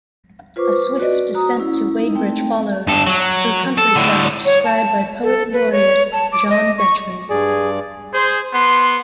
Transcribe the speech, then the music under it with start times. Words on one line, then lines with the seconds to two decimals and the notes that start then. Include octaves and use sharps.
A swift descent to Wadebridge followed, through countryside described by Poet Laureate John Betjeman.
0.56 F4 B4 C5 C#6 D6
1.00 F#4 B4 D5 D#5
1.34 F#4 A#5 D#6
1.57 C#4 E4
1.99 D#4
2.15 A3 C4 G5
2.88 G2 A4
3.07 F#3
3.78 A4
3.96 A2 D3
4.46 C#5
4.65 A5
5.23 A4
5.53 B4
5.72 C#5
6.12 A5
6.32 D6
6.50 D#5
6.78 C#6
7.30 G2 G#4 D5
8.12 G#4 C5
8.53 B3 C6